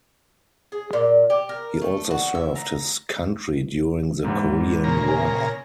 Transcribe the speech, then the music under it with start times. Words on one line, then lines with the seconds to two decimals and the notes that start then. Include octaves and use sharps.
He also served his country during the Korean War.
0.72 G#4
0.93 A#2
1.30 G4
1.49 A#4
1.82 A3
2.11 F#4
2.35 E5
2.56 A#5
4.24 E2 G#2
4.84 A#2 C#3 A#5
5.08 G#5